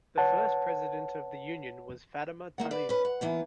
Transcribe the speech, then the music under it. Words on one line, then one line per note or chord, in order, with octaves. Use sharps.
The first president of the Union was Fatima Talib.
B4 C#5 F#5 A5
E2 A#3 F#5
B4 D5
C#4 B4
F#5
E3 A#3 B3